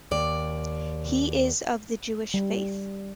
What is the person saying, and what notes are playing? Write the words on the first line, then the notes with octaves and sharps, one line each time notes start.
He is of the Jewish faith.
D#2 D5
G3